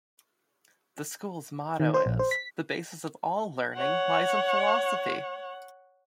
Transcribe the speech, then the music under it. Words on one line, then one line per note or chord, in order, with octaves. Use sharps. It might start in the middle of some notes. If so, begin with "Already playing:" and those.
The school's motto is "The basis of all learning lies in philosophy".
D#3
C5
A#1
C5
B6
C#5 F#5